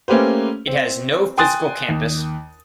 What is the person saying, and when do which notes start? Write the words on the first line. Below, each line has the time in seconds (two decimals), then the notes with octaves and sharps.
It has no physical campus.
0.08 A3 A#3 C#4 G4 B4 C5
0.67 C4
1.37 G5 G#5 C6 D#6 F#6 A6
1.89 D#2